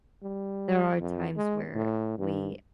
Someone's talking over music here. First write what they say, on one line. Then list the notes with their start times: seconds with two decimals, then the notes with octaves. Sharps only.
there are times where we
0.23 G3
1.00 F2
1.37 G#3
1.75 A2
2.18 G2